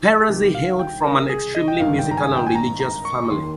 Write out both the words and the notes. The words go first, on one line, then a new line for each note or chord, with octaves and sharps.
Perosi hailed from an extremely musical and religious family.
G#4
C2 C3 D#3 G4
F5
G5
A#4
G#4
D#5
G5
G#1 G2 D#3 F5
G5
A#5
G#5
G5
G#5
A#5
A#5
C#6
D#2 D#3 C6